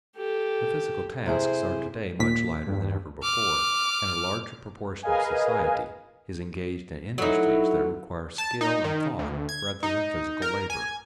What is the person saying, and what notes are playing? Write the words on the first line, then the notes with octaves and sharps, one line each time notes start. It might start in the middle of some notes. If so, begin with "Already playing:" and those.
The physical tasks are to-day much lighter than ever before, and a larger proportion of society is engaged in industries that require skill and thought rather than physical labor.
G4 A4
C3 E4 G#4 C5
D#2 A#2 B6
G2
D6 F6
G#4 A#4 B4 D#5 F5 G#5
F#3 D#4 E4 A4
A5
D#4
D#3
D2
G#6
D#4
A#4
G#5